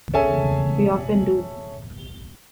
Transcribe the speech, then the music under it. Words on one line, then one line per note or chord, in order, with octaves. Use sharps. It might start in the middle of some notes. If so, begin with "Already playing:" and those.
We often do.
C#4 G#4 A4 E5 G#5 A5